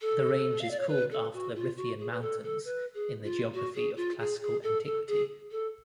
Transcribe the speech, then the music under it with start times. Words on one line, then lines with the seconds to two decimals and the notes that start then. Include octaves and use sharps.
The range is called after the Riphean Mountains in the geography of classical antiquity.
0.01 A4
0.61 F5
0.70 D5
0.79 C#5
0.88 B4
1.11 A4
1.33 F#4
1.55 F4
1.76 F#4
1.99 G#4
2.11 B4
2.21 A4
2.43 A4
2.64 B4
2.94 G#4
3.23 F4
3.53 F#4
3.74 G#4
3.96 F4
4.19 G#4
4.41 G#4
4.63 A4
4.85 A4
5.07 G#4
5.51 A4